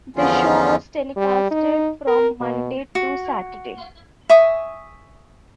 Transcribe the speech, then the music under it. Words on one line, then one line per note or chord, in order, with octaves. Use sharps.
The show was telecasted from Monday to Saturday.
E2 D3 F3 B3 C#4 F4
G3
D#4
A#4
B2
F#4
E5 G#5 C#6 D#6